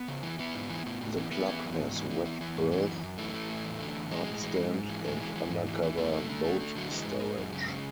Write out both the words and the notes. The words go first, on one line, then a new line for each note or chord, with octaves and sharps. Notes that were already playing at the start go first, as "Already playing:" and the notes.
The club has wet berth, hardstand and undercover boat storage.
Already playing: B3
C#3
E3
E3 B3
G#2
E3
A2
A2
E3
E3 B3
E3
F#2
G#2
E3
E3
E3
E3
G#2
E3
F#2
F#2
E3 A3
E3
A2
E2
D3
E2
A2 G#3
A2
E3
G#2
G#2
E3
A2 G#3
E3
E3
G#2
E3
E3
F#2 A3
D3
D3
D3
D3
D3 F#3
E3 G#3
G#2
G#2
F#2
C#3
C#3